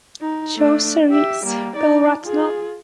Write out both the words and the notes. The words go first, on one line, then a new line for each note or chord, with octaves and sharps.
Joe series, Bill Ratner.
D#4
A3 D4
G4 E5
G3 A#3
D#4 D5
F4 G#4